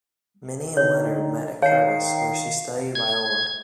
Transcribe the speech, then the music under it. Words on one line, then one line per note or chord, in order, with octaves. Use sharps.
Minnie and Leonard met at Curtis, where she studied viola.
D3 D#3 D#4 C#5
D#3 C#5 F5 C7
G#6